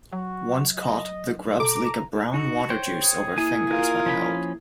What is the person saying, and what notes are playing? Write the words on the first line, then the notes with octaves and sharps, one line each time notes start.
Once caught the grubs leak a brown water juice over fingers when held.
F#3 F#4
D#5
B2 A4 A#5 D6
D#4 F#4
C5 C#5 G5
G#4
A#3 E4 G#5 D#6
F4 A#4
F3 C#4 B5